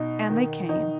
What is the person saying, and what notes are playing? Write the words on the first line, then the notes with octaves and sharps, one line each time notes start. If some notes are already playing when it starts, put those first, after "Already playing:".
And they came.
Already playing: B2 D#4
D#3
D#4